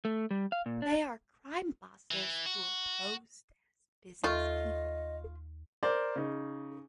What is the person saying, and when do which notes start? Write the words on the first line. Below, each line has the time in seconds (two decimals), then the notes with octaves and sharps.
They are crime bosses who posed as businesspeople.
0.05 A3
0.31 G3
0.52 F5
0.66 A#2
0.82 D4
2.11 E3
2.46 F#4
4.24 D#2 A3 F4 D#5 C#6
5.83 A#4 C5 D5
6.16 C#3 D#4